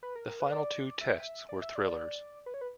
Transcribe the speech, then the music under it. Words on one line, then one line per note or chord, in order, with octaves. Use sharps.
The final two Tests were thrillers.
B4
A#4
A#4
B4
D5
E5
D5
E5
D5
B4
C#5
B4